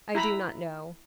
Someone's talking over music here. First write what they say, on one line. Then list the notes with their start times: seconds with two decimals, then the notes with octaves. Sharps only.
"I do not know."
0.15 E4 A#5 B5